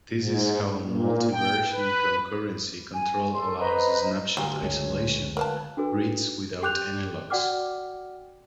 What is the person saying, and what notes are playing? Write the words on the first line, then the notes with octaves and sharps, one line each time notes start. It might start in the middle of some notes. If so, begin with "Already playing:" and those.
This is how multiversion concurrency control allows snapshot isolation reads without any locks.
G#2
A#2
G5
B4
G#5
A4 C6
B4 C5 D#5 A#5
D2 F#3 F4 G4
C#2 G#3 C#5
A#4 B4 F5 A5
D4 F#4 A4 B4
G4 G5 D6 F#6 G6 F7
F#4 D5 F#5 G5 D6 F6